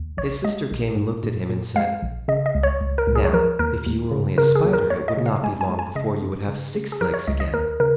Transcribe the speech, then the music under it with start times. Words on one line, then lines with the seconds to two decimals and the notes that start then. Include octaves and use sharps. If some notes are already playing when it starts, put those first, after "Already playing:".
His sister came and looked at him and said, "Now if you were only a Spider it would not be long before you would have six legs again."
Already playing: D#2
0.17 A#1 C#5
0.45 G#3 D#5
0.71 A#1
0.97 G#2
1.24 A#2
1.50 A#2
1.76 G#3 F5
2.02 A#1
2.28 C#3 D#5
2.46 D#5
2.55 C#2
2.63 C#5
2.81 C#2
2.98 A#4
3.07 C#2
3.15 G#4
3.25 C#5
3.33 F3 A#4
3.59 D#2 A#4
3.86 D#2
4.11 C#3
4.38 C#3 A#4
4.55 G#4
4.65 D#2
4.73 A#4
4.90 D#2 C#5
5.08 D#5
5.17 C#3
5.26 F5
5.43 G#3 G#5
5.61 G#5
5.69 G#3
5.79 G#5
5.96 C#3 D#5
6.22 F2
6.48 C#3
6.75 C#3
6.92 G#4
7.01 F3 A#4
7.14 C#5
7.27 C#2 D#5
7.40 D#5
7.53 D#2 A#4
7.80 C#3 A#4